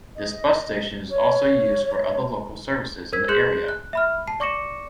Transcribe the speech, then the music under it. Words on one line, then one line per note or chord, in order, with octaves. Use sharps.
This bus station is also used for other local services in the area.
D#5
C#5
A#4 C5 E6 G#6 B6
G#4 C6 F#6 G6 E7 F#7
F#6
E5 B5 F6
A5 C7
D5 C#6 D6 A#6 C#7 E7